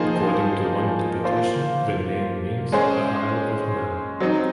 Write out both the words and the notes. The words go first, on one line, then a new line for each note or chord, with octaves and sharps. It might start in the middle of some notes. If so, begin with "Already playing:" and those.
According to one interpretation the name means the Isle of Men.
Already playing: F3 A#3 D#4 G#4 C5
A#3 F4 C5
G#3 C#4 G#4 C5
F#3 C4 D#4